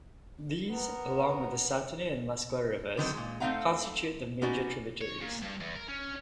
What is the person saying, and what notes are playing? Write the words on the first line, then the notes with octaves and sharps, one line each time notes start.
These, along with the Sahtaneh and Muskwa Rivers constitute the major tributaries.
B3 A#4
D3 D#3 F#3 C4
A#2 G#3
A3 C4 D#4 F5 F#5 A#5
B3 C#4 D#4 F#4 D5
C#5
A#2
G2
E2
A#4
C#4